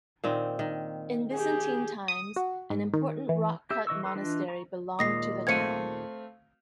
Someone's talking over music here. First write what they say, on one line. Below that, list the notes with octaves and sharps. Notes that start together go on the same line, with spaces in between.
In Byzantine times, an important rock-cut monastery belonged to the town.
A#2 D#3 C4
D#3
G4 G#4
D#6
F#4
G#2
D#3
E3
G4 E5
E3 D#5 C#6 E6
D#4 A4 B4 C6
E3 D4 F4 B4 D#5
A#5 C#6
D#2 A#2 G#3 D#6 A#6 C7
A3 C4 F5 G#6 C#7 D#7